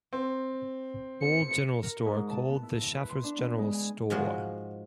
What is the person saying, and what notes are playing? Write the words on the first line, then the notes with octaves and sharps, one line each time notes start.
Old General Store called The Shaffer's General Store.
C4
C#7
A#4
G#2
A5
B3
E4
B4
C6
D4
B3
G#3
G#5
G#2 F3 G#3 F#4